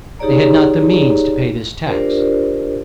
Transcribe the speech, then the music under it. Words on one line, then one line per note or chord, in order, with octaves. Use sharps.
They had not the means to pay this tax.
D#4 G4 G#4 C#5 D5 A#5
D4 F4 G4 A#4 C5 D5